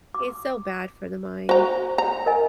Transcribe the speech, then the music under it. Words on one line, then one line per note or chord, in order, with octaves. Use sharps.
it's so bad for the mind.
D6
F#4 C5 A#5
A#5
A#4 D#5 G#5